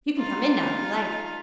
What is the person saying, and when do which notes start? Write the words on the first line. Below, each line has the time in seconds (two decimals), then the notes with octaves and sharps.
"You can come in now, if you like."
0.18 D#4 F4